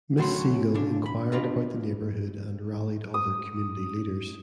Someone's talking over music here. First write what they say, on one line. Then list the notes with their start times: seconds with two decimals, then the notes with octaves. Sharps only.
Miss Siegel inquired about the neighborhood and rallied other community leaders.
0.17 D2 A2 F#3 F#4 C6
0.74 C#3 D4
1.06 B5
1.32 D4 F4 B4 D#5
3.14 D#6